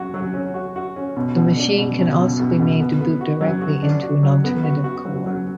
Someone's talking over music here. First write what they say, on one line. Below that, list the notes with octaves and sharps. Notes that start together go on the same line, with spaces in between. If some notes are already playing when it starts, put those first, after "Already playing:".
The machine can also be made to boot directly into an alternative core.
Already playing: F#3 F#4
F#3
C#4
F#4
F#4
C#4
B2
B2
D4
B2
B2
B2
B2
B2
B3
B3
F#4
F#3
F#4
D4
F#4
F#3
B3
F#4
F#4
F#3
F#3